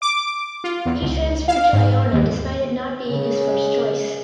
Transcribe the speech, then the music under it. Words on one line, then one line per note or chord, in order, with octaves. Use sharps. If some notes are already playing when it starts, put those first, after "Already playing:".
He transferred to Iona despite it not being his first choice.
D6
F4
E2
C#2
F5
G#2
D#2
C#3